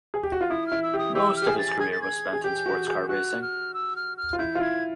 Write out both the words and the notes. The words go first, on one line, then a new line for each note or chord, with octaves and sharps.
Most of his career was spent in sports car racing.
G#4
G4
F#4
F4
E4 D#6
E4 F6
E6
G4 D#6
G4 E6
F6
G4
G#4
A6
G#4 G#6
A6
G#6
G#4
G4 G6
F#4
G#4
F#4 F#6
F6
E6
F6
F6
F4
E4 G6
F4
E4 G#6